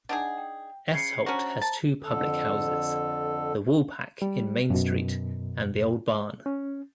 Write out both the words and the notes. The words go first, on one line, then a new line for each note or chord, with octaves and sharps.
Esholt has two public houses, The Woolpack in Main Street and The Old Barn.
D4 D#4 G#4 F#5 G#5
G5
C#3 G#6 C7 C#7
C#4 D4 F#4 C5 A#5
A5
F2 D3 A4
G3
F#2 B2
C#4